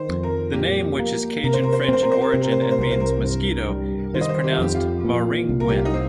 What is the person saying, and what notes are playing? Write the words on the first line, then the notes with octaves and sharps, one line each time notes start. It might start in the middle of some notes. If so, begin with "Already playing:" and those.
The name, which is Cajun French in origin and means "mosquito", is pronounced mah-ring-gwin.
Already playing: D#3 C5
F2
A#4
A#2 G4
A#3
C3 A#4
C5
A#4
C5
A#4
C4 C5
A#4
C5
A#4
C3 C5
A#4
C5
A#4
C5
C2 A#4
C5
A#4
G2
G3
D#3 C5
D#5
C5
G4
F4
F2 G4
F4
A#2
C2
A#4
G4
F4
D#4
C4